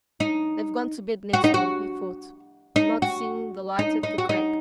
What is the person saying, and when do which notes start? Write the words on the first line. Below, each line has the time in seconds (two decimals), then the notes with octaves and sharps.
"They've gone to bed next door," he thought, not seeing the light at the crack.
0.20 D#4
1.33 F#4
1.44 D#4
1.54 F#4
2.76 D#4
3.02 F#4
3.79 D#4
4.03 D#4
4.18 F#4
4.29 D#4